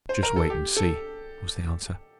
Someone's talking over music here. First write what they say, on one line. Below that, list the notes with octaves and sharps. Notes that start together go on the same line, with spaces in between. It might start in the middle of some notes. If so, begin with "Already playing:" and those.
"Just wait and see," was the answer.
C5
A#4
A4
G4
A4